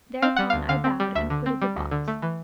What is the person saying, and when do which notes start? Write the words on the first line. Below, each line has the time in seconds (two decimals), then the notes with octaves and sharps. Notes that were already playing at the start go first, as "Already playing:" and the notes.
Thereupon I bowed and quitted the box.
0.22 C4 F5
0.36 G3 F#5
0.50 F5
0.53 D2
0.69 D3 F5
0.84 C4
1.00 G3
1.15 D2 E5
1.30 D3
1.46 C4
1.62 G3
1.77 D2
1.91 D3
2.08 A3
2.22 E3